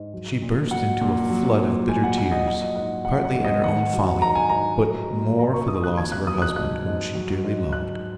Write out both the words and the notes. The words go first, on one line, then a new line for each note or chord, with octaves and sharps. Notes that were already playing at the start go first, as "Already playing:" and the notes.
She burst into a flood of bitter tears, partly at her own folly, but more for the loss of her husband, whom she dearly loved.
Already playing: G#2
F#3
A#2
F#3 F#5
A#2
F#3
A#2
F#3 G#5
F#5
A#2 F#5
D#5
F#3 F#5
D#5
G#2 F#5
F#3 F#5
F#5
G#2
D#5
D#3 F#5
F#3
G#2 A#5
G#5
G#2 A#5
F#3
A#2
F#3 A#5
C#6
A#2 D#6
F#6
D#3 G#6
F#6
F#3 D#6
F#6
G#2 F#6
G#2
F#3
G#2
F#3 F#6